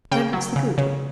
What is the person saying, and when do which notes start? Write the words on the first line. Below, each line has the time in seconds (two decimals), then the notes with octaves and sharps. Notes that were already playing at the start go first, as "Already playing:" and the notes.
"Then what's the good?"
0.11 C#3 G5
0.33 F#3
0.56 C#3
0.78 C#3